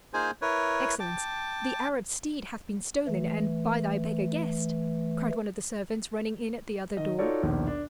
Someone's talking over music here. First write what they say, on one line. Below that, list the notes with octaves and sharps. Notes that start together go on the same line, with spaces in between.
"Excellence, the Arab steed hath been stolen, and by thy beggar guest," cried one of the servants, running in at the other door.
A#3 D#4 F4 G#4 C5 G#5
E4 A#4 B4 C#5
G5 A5 D6
E3 A3
D#3 D#5
D#4 F4 F#4 A4 C#5 D5
A#1 D#2 B2
D4